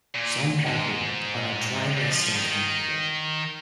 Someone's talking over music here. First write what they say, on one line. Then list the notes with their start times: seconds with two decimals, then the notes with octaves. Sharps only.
Some operate on a trimester calendar.
0.14 A#2
0.67 G#2
1.97 A#2
2.10 F3
2.23 F3
2.36 D#3